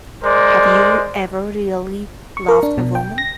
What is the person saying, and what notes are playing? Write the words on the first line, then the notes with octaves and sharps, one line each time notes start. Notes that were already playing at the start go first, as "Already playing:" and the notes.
Have You Ever Really Loved a Woman?
G#3 A#4 C5 D5
C#6
A#4
D4
B2
G5
A#6